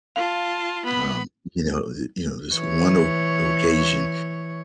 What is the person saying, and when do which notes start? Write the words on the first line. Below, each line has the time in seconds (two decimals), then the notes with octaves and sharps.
um, you know, eh, you know, this one o occasion,
0.16 F4 F5 A5
0.85 B3 B5
2.55 E3 C#5